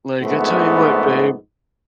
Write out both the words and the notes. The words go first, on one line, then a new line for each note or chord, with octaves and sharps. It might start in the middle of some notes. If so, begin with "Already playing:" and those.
Like, "I tell you what, babe”
A#1 G#2 A3 B3